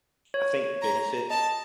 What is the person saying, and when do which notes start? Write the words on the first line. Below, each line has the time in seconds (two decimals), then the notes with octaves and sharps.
I think, benefit
0.34 C#5
0.82 A#5
1.30 D#5 A5